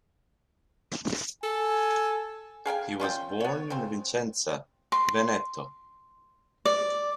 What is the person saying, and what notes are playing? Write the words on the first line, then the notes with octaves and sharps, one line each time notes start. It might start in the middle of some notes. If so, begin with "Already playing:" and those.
He was born in Vicenza, Veneto.
A4 G#5
G#4 F5 G5 G#5
C#4 F4 E5 G5
B3 C#5
C#3 C4
C6
D5